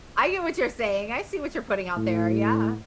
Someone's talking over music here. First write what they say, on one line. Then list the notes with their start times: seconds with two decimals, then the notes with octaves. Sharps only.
I get what you're saying, I see what you're putting out there, yeah.
1.97 A2